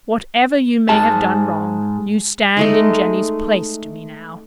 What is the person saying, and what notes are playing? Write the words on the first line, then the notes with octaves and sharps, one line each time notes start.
Whatever you may have done wrong, you stand in Jenny's place to me now.
G#2 G#4 A5
G#3 A3 D#4